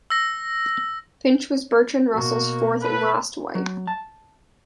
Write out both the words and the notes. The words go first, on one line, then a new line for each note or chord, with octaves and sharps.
Finch was Bertrand Russell's fourth and last wife.
E6 A#6
B2 A#3 F#4
A4 B4
F#3
A5